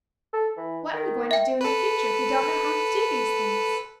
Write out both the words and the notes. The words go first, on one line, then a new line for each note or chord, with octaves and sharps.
"What are you going to do in the future if you don't know how to do these things?"
A4
E3
D#3
E5 G5
A4 B4